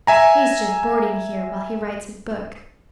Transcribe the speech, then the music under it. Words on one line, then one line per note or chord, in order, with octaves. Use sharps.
He's just boarding here, while he writes his book.
E5 G#5 A#5